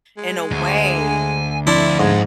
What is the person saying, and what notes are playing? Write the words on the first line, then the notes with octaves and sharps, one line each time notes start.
in a way
G#3
D2 G#5
F2 D4 E4 C6
G#2 G#3